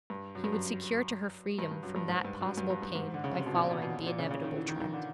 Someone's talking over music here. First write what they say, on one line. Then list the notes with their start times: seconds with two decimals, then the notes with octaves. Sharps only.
He would secure to her freedom from that possible pain by following the inevitable trend.
0.10 G2
0.35 F#2
0.44 G2
0.52 F#2
1.59 G2
1.71 G2
1.83 F#2
1.96 G2
2.08 G#2
2.25 G2
2.41 F#2
2.57 G2
2.70 G2
2.82 G2
2.95 G#2
3.14 D3
3.24 C#3
3.35 C3
3.46 B2
3.56 A#2
3.69 B2
3.82 B2
4.07 A#2
4.19 C#3
4.31 C#3
4.44 D#3
4.56 E3
4.68 D#3
4.80 D#3
4.93 D3